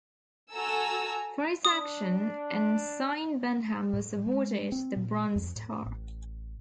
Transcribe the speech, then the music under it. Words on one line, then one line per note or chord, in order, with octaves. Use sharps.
For his action, Ensign Benham was awarded the Bronze Star.
F#4 A4 G#5 A#5 E6
D4 D#6
A2
G#3
C4
A#2
F2
A2
A1